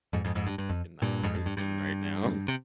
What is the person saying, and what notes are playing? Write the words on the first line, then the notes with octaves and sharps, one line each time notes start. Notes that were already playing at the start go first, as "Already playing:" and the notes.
I'm a freaking nice person right now,
F2 G#2
F2 G#2
F2 G#2
G2
G2
F2
G2 A#2
F2 G#2
F2
G2
G2
C3